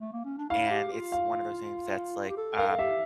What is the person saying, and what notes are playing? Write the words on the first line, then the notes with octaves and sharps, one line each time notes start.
And it's one of those things that's like, um
A3
A#3
C#4
D4
E4 F5
G4
G4
F4
F5
G4
A4
A#4 F5
A4
G4 E5